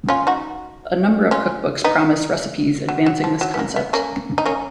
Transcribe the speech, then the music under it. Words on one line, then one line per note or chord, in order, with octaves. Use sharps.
A number of cookbooks promise recipes advancing this concept.
C#4 F4
D#4 F#4
C#4 F4
B3 D#4
F#3
F#3
F3
F#3
B3
A#3
B3
A#3 C#4
D#4
A#3 C#4